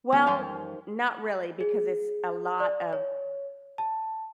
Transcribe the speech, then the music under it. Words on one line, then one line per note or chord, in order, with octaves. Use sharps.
Well, not really because it's a lot of
D3 D#3 F3 G3 A3 B3
F#2 E3 G3 G#3 G4 A4 F5 C6
G#4
D5
C#5
A5